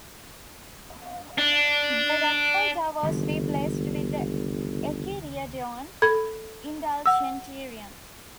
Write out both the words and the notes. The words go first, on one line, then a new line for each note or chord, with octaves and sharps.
The "Raccolta" was replaced with the "Enchiridion Indulgentiarum".
D4
G1 C#2 D#3 F3
A4 B5 G#6
F#5 E6